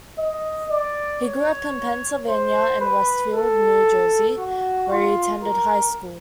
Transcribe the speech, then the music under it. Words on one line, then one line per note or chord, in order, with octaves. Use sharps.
He grew up in Pennsylvania and Westfield, New Jersey, where he attended high school.
D#5
D5
C#5
C5
B4
A4
F#4
F4
A#4